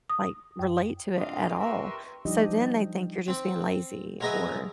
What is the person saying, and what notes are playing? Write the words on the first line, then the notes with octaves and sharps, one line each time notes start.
like, relate to it, at all? So, then they think you're just being lazy or,
D#6
F#2
C4 D4 F4 D#5 F5
G4 A#4 B4 E5 C6 C#6
F3 G3 D4 D#4 G4 D#5
C4
F#3 G#3 A#4 B4 D#5 E5